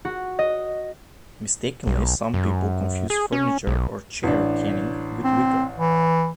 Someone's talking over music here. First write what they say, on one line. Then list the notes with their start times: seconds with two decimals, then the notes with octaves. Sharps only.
Mistakenly some people confuse furniture or chair caning with wicker.
0.05 F#4
0.39 D#5
1.87 B1
2.34 F#2
3.10 G#4
3.32 C#4
3.67 B1
4.23 A1 D4
5.24 C4
5.76 E3